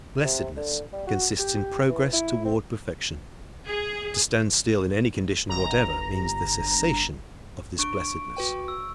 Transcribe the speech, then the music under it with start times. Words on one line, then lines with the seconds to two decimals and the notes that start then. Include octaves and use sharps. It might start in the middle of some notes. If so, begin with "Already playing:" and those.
Blessedness consists in progress toward perfection; to stand still in any condition whatever means the cessation of this blessedness.
0.24 C3
0.57 D3
0.93 G3
1.07 F#4
1.39 G4
1.89 E3
2.13 E4
2.45 C4
3.68 G#4
5.49 G1 A#5
7.79 D4 C#6 D7
8.37 F#4 B4 G5
8.68 E6